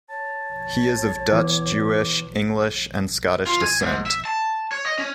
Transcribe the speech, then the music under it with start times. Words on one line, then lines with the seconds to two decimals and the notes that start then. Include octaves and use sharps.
He is of Dutch-Jewish, English, and Scottish descent.
0.09 C#5 A5
1.32 E2 E3 D6
3.47 F4
3.62 G#5
3.81 G#2
4.06 E5
4.25 A5
4.72 C#5
4.86 D#5
4.98 C#4